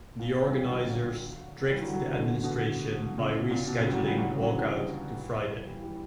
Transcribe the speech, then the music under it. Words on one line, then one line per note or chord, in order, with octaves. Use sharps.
The organizers tricked the administration by rescheduling the walkout to Friday.
A#2
E3 G3
E3 G3
D3 F#3
E3 G3
D3 F#3
D3 F#3
C#3 E3
B2 D3
B2 D3
A#2 C#3
B2
A#2
B2
A#2 C#3
G3
D3 F#3
E3 G3
D3 F#3
C#3 E3
D3 F#3
E3 G3
E3 G3
E3 G3